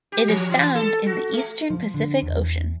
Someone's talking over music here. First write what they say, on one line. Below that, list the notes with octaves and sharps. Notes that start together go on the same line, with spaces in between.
It is found in the eastern Pacific Ocean.
G4
F3
E3
A4
F#4
A3
F3
D3
E2